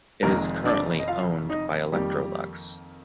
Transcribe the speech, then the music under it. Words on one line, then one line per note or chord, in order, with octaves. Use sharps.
It is currently owned by Electrolux.
F1 F2 D#3 G#3 A#3 A#4
D4 D5
D#5
F4 F5
D#4 D#5
F2 D#3 G3 A#3 G4